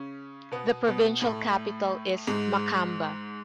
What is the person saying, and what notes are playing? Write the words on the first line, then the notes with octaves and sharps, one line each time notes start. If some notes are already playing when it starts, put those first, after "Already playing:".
The provincial capital is Makamba.
Already playing: C#3 C#4
B2 B3
B2 B3
A2 A3
G#2 G#3